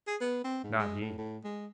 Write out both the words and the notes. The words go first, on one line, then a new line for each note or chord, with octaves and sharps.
Not he.
G#4
B3
C4
G#2
G#3
A2
A2
G#3